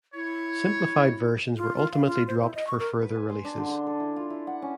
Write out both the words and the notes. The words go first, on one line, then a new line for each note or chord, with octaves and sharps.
Simplified versions were ultimately dropped for further releases.
E4 C#5
F4
F4
F5
F4
C5
E4
D#5
C#6
A#4
B4
G#5
C6
D4
D3
C6
A4
E4
F4
E4
F#5
C#4